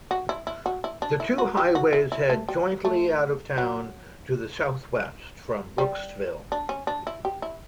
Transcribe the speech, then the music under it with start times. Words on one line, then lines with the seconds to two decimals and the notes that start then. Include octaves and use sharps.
The two highways head jointly out of town to the southwest from Brooksville.
0.11 F#4
0.29 E4
0.47 E4
0.66 F#4
0.84 E4
1.02 D4
1.20 E4
1.38 F#4
1.57 G4
1.75 F#4
1.93 E4
2.12 E4
2.30 A3
2.49 G3
2.85 A3
3.58 F#3
5.78 G3
6.52 D4
6.69 C#4
6.87 D4
7.07 E4
7.25 G4
7.42 E4